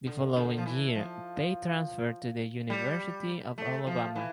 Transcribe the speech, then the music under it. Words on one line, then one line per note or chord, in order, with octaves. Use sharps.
The following year Pate transferred to the University of Alabama.
D3
D3
F3
E3
F3
G3
A3
F3
E3